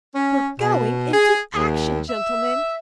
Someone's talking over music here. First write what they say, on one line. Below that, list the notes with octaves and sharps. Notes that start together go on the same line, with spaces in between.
"We're going into action, gentlemen!"
C#4
B2
G#4
D#2
E5